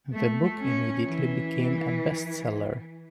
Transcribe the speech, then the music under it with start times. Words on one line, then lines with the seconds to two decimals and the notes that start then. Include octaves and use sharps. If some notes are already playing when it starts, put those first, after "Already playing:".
The book immediately became a best-seller.
0.13 A3
0.60 C#4
1.07 E3